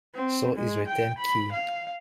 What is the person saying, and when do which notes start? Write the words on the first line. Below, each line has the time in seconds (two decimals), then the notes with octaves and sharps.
So is the term "key".
0.15 C4
0.55 G#3
0.87 G5
1.18 B5
1.52 F5